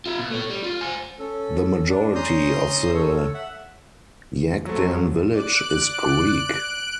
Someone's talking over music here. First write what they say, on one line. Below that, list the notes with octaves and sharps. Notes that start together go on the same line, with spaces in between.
The majority of the Yaghdan village is Greek.
F4 E5
B2
A3 C#5
G3
F4
C5 G#5
C#4 A4
D4
C#4 A#5 C6 D#6 G6
A4 C#5
E5 F#5
F3 F#3 A3
D5 F#6 D7